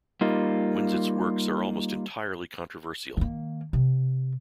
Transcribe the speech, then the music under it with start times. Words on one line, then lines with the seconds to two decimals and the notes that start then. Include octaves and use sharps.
Winzet's works are almost entirely controversial.
0.21 G3 A#3 D#4 F4
3.17 D#3 A#3
3.73 C3